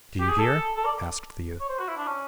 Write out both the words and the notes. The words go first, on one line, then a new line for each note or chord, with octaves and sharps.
'Do you hear?' asked the youth.
G4
G#4
A4
A4
D5
C#5
C5
F#4
E4
D4
C#4